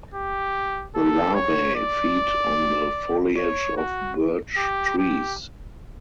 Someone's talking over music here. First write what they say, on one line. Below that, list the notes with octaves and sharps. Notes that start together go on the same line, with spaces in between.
The larvae feed on the foliage of birch trees.
G4
A4
C#5
D5
C#5
F#4
G4
G4